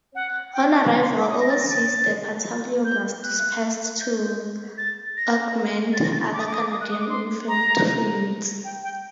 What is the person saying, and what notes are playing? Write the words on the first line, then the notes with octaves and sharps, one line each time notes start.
On arrival overseas the battalion was dispersed to augment other Canadian infantry units.
F#5
G5
A#5
C6
D6
D#6
A#6
A6
A#6
A6
G6
F#6
G6
A6
A#6
A6
A#6
A6
A#5
D6
D#6
D6
D#6
D6
D#6
F#6
D#6
D6
C6
A#5
G5
G5